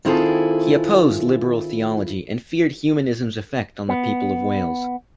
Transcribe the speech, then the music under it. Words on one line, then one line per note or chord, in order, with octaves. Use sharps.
He opposed liberal theology and feared humanism's effect on the people of Wales.
D#3 C4 E4 F4 G#4 A4
B3